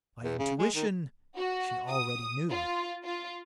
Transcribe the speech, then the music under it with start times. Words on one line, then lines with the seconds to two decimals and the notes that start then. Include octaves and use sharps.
By intuition, she already knew.
0.23 E2
0.39 C#3
0.59 G#3
0.75 D#3
1.36 F#4
1.88 D#6
2.50 F4
3.04 F4